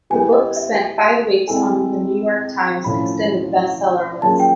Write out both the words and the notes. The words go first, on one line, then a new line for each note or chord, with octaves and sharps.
The book spent five weeks on "The New York Times" extended best-seller list.
G3 B3 E4 G#5
D#5
E5
G#3 C4 E4 A4 G#5
A2 F3 A3 C#4 B5
F#3 A#3 C#4 F4 G#4 A5
G5